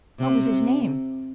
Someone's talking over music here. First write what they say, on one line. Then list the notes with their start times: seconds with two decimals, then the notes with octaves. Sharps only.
"What was his name?"
0.19 C3